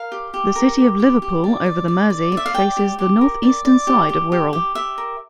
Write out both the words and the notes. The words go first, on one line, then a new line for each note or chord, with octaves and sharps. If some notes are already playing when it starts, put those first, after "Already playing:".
The city of Liverpool over the Mersey, faces the northeastern side of Wirral.
Already playing: A#4 F5
G4
G4
A#4
G4
G4
G4
D5
D5
D5
D5
D5
E5
F5
D5 G5
G4
G4
A#4
D5
D5
G4
G4
G4
G4
G4 E5
A#4